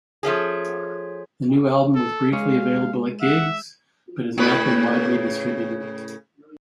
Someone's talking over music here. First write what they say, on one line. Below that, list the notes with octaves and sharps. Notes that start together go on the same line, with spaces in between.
The new album was briefly available at gigs, but has not been widely distributed.
F3 A3 C#4 G#4
A4
G#3 G#4 C#5 F5
E5 F#5
A2 C#3 B4